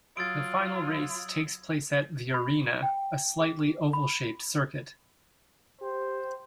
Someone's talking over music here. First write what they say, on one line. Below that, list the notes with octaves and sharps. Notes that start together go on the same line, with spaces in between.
The final race takes place at "The Arena", a slightly oval-shaped circuit.
F#3 F4 D#6 E6 G#6 A6 D7
B5
G5
G#4
B5
G4 C5